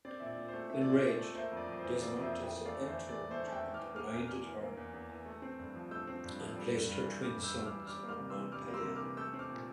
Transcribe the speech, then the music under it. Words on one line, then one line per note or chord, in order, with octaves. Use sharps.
Enraged, Desmontes entombed and blinded her and placed her twin sons on Mount Pelion.
C4 D5
A#2 E5
D5
A#2
C5
A3
C4 E5
A#2 D5
C5
A#2 D5
A3
A#3 C5 E5
F2
D5
F2
C5
E3
A#3 D5
F2
C5 E5
F2
E5 G5
E3
A3 D5 F5
E2
C5 E5
E2
D5
E3
A3 C5 E5
E2 A5
E5 G5
E2
D6 F6
E3
A#3 D6 F6
E2
E2 D6 F6
E3
A#3
E2
E2
E3
A3
C4
G2
F3
A3 E6 G6
C4
G2
F3
G3
G2
G2
E3
G6
G3 D6 F6
G2
E6 G6
G2 E6
D6 F6
E3
E6
G3 D6 F6
A#3
D6 F6
C3
C6 E6
E3
G3 D6 F6
A#3
C6 E6
C3
D6 F6
E3
A3 E6 G6
C4
D6 F6
A#2